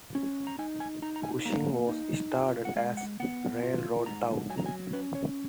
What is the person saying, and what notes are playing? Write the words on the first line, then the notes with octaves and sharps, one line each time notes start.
Cushing was started as a railroad town.
C#4
A#5
D#4 G#5
G#5
D#4 A#5
A#5
G#5
A#3 A#5
D#4
F4 G#5
F#5
G#3 F5
F#5
B3 F#5
F4
G#2 A#5
F#3 G#5
A#5
G#5
C#4 B4
C#5